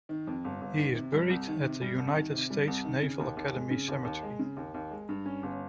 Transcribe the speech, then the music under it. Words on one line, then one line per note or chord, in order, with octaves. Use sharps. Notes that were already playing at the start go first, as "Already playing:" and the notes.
He is buried at the United States Naval Academy Cemetery.
D#3
F2
G1
G1
D#3
C3
G3
C2
D#3
C3
G3
C2
D#3
C3
G3
C2
D#3
C#3
D#2
D#2
G#3
C#3
D#2
D#2
G#3
C#3
D#2
D#2
G#3
G2
C#4
G1